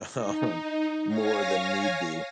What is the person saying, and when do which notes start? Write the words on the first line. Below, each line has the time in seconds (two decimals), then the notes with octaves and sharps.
um, more than need be,
0.13 D#4
1.07 C#5 F5 G#5 A#6